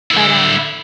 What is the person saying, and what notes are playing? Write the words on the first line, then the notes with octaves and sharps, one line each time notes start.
But, um,
D3 E4